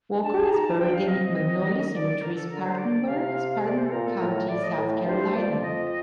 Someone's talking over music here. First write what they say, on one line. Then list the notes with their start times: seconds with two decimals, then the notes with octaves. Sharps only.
Walker is buried in Magnolia Cemetery, Spartanburg, Spartanburg County, South Carolina.
0.22 D4 A5
0.50 D#4 A#5
0.65 A5
0.79 D4 G5
0.94 F5
1.07 C4 D#5
1.65 D#3
1.93 D5
2.21 D3 A#4
2.36 A4
2.50 D3 A#4
2.64 C5
2.78 D5
3.07 C3 F5
3.64 D5
3.78 C5
3.86 A4
3.92 A#2 A#4
4.06 A4
4.20 A2 A#4
4.48 A2 D5
4.63 D#5
4.77 A2
5.06 G2 C5
5.34 F2 D5
5.62 D#5